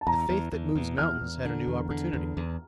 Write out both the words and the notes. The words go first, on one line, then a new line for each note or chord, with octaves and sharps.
The faith that "moves mountains" had a new opportunity.
A5
E2 A#5
E2
E2
E2
E2 F6
E2
D3
E2
D3
E2
E2